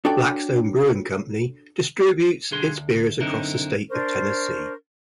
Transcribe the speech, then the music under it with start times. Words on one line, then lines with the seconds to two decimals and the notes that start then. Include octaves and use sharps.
Blackstone Brewing Company distributes its beers across the state of Tennessee.
0.05 D4 F#4 A4 C#5 D5 G5
2.51 B1 D3 G#4 C6
2.75 D2
3.20 F#2 D3 C4 D#4 E4 A#4
3.90 D4 A#4 C5 C#6